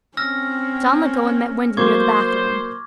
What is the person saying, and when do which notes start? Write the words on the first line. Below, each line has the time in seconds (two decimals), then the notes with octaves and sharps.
John let go and met Wendy near the bathroom.
0.17 C4 C#4 E6 F6 A#6
1.77 F#3 A#3 C5 C#6 D6 G#6